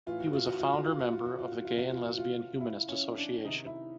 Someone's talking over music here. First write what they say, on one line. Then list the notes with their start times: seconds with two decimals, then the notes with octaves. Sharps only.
He was a founder member of the Gay and Lesbian Humanist Association.
0.07 A2 E3 F4
0.20 F#4
0.33 F4
0.46 F#4
0.60 F4
0.73 F#4
0.86 F4
0.99 F#4
1.13 F4
1.26 F#4
1.39 F4
1.52 F#4
1.65 F4
1.76 C3 E3 F#4
1.91 F4
2.05 F#4
2.18 F4
2.60 E4
2.88 C#4
3.17 D4
3.45 C3 D#4
3.49 D#3
3.66 E4